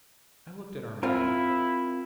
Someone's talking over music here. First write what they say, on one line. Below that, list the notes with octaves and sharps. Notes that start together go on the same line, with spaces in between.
I looked at our men.
C4 E4 F4 A#4